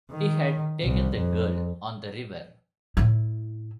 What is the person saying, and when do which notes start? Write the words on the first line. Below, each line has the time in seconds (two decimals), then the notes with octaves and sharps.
He had taken the girl on the river.
0.11 D#3
0.82 C2
1.17 F2
2.97 A2 E4